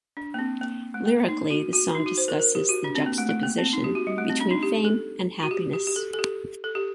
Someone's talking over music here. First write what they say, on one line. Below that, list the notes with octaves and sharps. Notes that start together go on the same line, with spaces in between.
Lyrically the song discusses the juxtaposition between fame and happiness.
D4
A#3
C4
A#3
A3
A#3
D#4
F#4
F#4
D#4
F#4
C5
A#4
A#4
G4
F#4
D4
C4
A#3
A3
A3
A#3
C4
D#4
G4
F#4
G3
A3
C4
D4
D#4
G4
A4
F#4
G4
G4
G4
A4
A4
G4
A4
G4